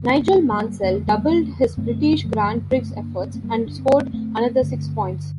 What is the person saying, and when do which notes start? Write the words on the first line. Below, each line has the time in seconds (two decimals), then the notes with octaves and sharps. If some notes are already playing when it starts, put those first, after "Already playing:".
Nigel Mansell doubled his British Grand Prix efforts and scored another six points.
Already playing: G2 D3
0.09 A#3
0.21 A3 C4
0.52 G3 A#3
0.83 F2 D3 A3 C4
1.07 G3 A#3
1.30 A3 C4
1.77 G2 D3 A3 C4
2.24 F3 A3
2.72 G2 D3 A3 C4
2.90 C4
2.96 A#3 D4
3.20 C4
3.28 A#3
3.34 A3 C4
3.43 G3 A#3
3.66 G2 D3 D4
3.78 C4
3.90 A#3
4.00 A3 C4
4.14 A3 C4
4.61 G2 D3